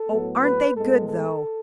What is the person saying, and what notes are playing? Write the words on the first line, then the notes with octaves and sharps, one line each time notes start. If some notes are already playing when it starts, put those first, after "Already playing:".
"Oh, aren't they good, though!"
Already playing: A4
A2 F#3 B3
B4
A2 G#3 B3 A4
A4